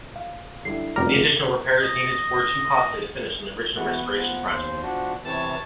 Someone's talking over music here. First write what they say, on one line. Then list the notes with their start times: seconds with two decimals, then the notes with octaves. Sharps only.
The additional repairs needed were too costly to finish in the original restoration project.
0.16 F5
0.65 D3 G3 E4 C7
0.96 F1 F#2 G3 A#4 D6 F6
1.81 D#5
3.76 E3 B3 F#4 F#6
4.16 F3 F#5
4.51 D#2 C5
4.83 F3 D4 F#4
5.25 C3 E3 C#5 A5